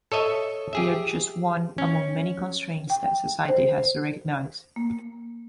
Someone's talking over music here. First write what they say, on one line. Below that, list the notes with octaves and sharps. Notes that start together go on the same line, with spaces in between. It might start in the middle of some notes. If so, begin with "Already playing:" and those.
They are just one among many constraints that society has to recognise.
A4 C#5 D#5 E5
G4 G#4 E5
C#4
G5
C5
A#3